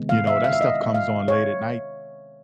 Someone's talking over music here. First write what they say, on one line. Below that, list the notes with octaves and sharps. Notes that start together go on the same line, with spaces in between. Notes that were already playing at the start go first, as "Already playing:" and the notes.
you know, that stuff comes on late at night.
Already playing: C3 D#3 G#3 B3
F5
E5
F5
E5
D#5
F5
C#5